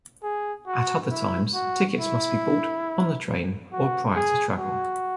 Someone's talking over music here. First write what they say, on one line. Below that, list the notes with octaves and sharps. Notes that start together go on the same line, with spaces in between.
At other times, tickets must be bought on the train or prior to travel.
G#4
F#4
E4
F#4
E4
F#4
G#4
F#4